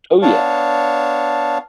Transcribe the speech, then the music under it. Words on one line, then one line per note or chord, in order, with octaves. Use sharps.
Oh, yeah,
B3 D4 C#5 F5 A5